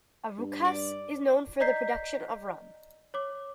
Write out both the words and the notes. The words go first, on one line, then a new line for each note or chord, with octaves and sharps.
Arucas is known for the production of rum.
G2
D5
D5 D#5 A#5 G6 B6 C7
C#5 D6